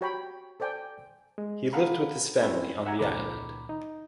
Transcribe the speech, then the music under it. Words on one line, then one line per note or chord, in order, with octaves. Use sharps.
He lived with his family on the Island.
F#4 G4 C#5 G5 A#5 B5
A4 C5 D5 G5 G#5
G#3
G#4 A4 F5 F#5 A#5 B5
C4 C#4 E4 B4
E5 F#5 G#5 A#5 G#6
C#2 A#2 D#3 A#5 B5 D6
D#4